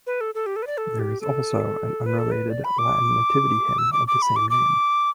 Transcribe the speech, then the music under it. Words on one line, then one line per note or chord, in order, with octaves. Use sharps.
There is also an unrelated Latin Nativity hymn of the same name.
B4
A4
A4
G4
A4
B4
D5
A4
G4
A4
B4
A4
B4
D5
B5
D6
E6
D6
D6
B5
D6
D6